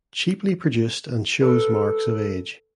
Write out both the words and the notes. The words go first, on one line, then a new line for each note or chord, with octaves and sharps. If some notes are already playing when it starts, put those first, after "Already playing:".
Cheaply produced and shows marks of age.
A4 B4